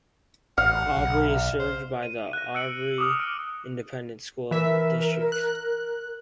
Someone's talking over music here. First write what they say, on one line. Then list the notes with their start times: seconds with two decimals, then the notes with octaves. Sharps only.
Aubrey is served by the Aubrey Independent School District.
0.58 A1 F5 F#5
0.97 B1
1.60 C5
2.03 D#7
2.33 F#6 A#6
2.55 E6 F#6 C#7 D7 F#7
2.98 D6 D#6 F6
3.18 D#6 F6 D7
4.51 E3 A#4 E5
5.32 F#6